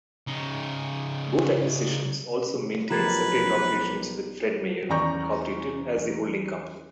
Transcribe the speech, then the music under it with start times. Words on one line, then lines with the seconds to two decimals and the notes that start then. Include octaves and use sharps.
Both acquisitions also maintained separate operations with Fred Meyer, Incorporated as the holding company.
0.27 C#3 D#4
2.91 B1 F3 G4 A#4 B4 A#5 G#6 A6
4.89 E2 C#4 D5 A#5 C#6 G6